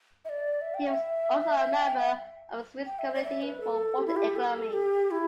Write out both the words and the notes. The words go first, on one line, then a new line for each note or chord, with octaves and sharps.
He was also a member of the Swiss Committee for Water Economy.
E5
D5
E5
G5
E5
G5
G5
E5
G5
E5
D5
E5
B4
A4
G4
E4
G4
A4
G4
E4